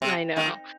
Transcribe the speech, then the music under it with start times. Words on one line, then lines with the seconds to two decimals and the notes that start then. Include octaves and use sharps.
I know.
0.02 C3
0.37 D#3